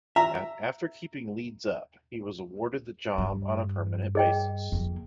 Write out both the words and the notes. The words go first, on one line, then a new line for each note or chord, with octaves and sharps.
After keeping Leeds up, he was awarded the job on a permanent basis.
E5 A#5
G2
G#4 D#5 G5
F2 A#3